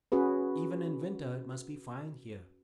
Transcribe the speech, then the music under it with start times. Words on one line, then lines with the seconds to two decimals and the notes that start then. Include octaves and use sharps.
"Even in winter it must be fine here."
0.12 C#4 F#4 G#4 B4